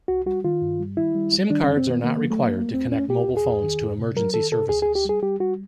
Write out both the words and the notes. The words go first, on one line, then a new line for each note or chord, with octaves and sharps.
Simcards are not required to connect mobile phones to Emergency Services.
C2 F#4
G3 F#4
D#3 F4
G2
G3
D#3 E4
G3
G3
D#3 D4
F#2 C#4
C4
D#3 B3
D#3 A#3
F#3 A#3
A3
F#3 A#3
A3 A#3
E2 C4
A3 C#4
B2 G4
E2
G#4
E2
D#3
F2
C3
F#3 A#4
D#3 A4
C3 A4
D2 G#4
G#4
D2
G4
G3 G#4
G3 G4
G3 F#4